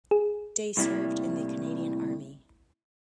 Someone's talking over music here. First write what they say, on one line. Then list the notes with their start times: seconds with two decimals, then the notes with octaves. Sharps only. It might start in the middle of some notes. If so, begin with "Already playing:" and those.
Day served in the Canadian Army.
0.11 G#4
0.77 A2 C3 G3 A#3 E4